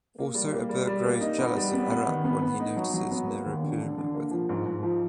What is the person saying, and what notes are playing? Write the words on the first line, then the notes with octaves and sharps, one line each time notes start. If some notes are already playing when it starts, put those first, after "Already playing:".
Also Abir grows jealous of Arup when he notices Nirupoma with him.
A#3
G3
A#3
G3
G3
A#3
D#4
B3
G3
B3
B3
D#3
B3
B3
D#4
F#3
F#3
B3
A#3
D#2
D3
D3
D3
A#3
F3
G#2
G#2
F3